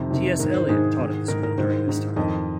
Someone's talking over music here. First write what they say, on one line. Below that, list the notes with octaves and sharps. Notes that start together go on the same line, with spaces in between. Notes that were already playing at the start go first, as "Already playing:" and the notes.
T. S. Eliot taught at the school during this time.
Already playing: F2 C3 D#3 C5
F2 C3 D#3
G#2 D#3 A#4
C5
G#2 D#3 G#4
G#2 D#3
G#2 D#3 A#4
A#4
G#2 D#3 C5
G#2 D#3
F2 D#3 D#5